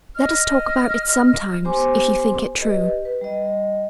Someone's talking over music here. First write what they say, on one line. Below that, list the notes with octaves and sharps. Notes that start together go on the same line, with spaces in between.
'Let us talk about it sometimes, if you think it true.
D#5 F6
B3 G4 C5 G#5 C6 D6
G4 B4 D#5
B4
G3 D#5